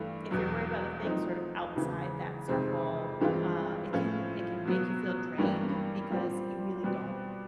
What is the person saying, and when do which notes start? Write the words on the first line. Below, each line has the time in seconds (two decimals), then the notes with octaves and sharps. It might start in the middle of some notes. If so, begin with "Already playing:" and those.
if you're worried about the things sort of outside that circle, uh, it can it can make you feel drained because you really don't
Already playing: G2 E3 A3
0.31 E2 B2 F#3
1.03 F3 A3 C4 D#4
1.76 E2 C#3 E3 G#3 C4
2.48 F2 C3 D#3 G#3 C4
3.21 G2 E3 G#3 C4 F4
3.93 A2 F3 A3 C#4 F4
4.65 B2 F#3 B3
5.38 G2 E3 G3 A#3 C#4
6.10 A#2 G3 C4
6.83 B2 G3 C4